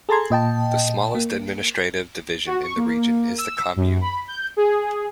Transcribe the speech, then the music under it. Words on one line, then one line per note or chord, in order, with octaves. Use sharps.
The smallest administrative division in the region is the commune.
G#4 A4 A5 A#5 C6 G#6
A#2 D#5 G5 A5
A#3
F#4
C#6
A#3
E6
F#2
B5
G6
G#4